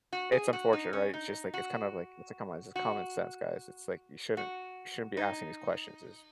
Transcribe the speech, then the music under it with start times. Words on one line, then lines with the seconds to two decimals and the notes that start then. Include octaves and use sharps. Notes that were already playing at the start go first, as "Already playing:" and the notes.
It's unfortunate, right? It's just like it's kind of like, it's a come on, it's just common sense, guys, it's like, you shouldn't you shouldn't be asking these questions is
0.13 F#4
0.32 G#4
0.53 F#4
0.73 D#4
0.93 C#4
1.14 D#4
1.54 F#4
2.76 F#4
4.37 F#4
5.17 D#4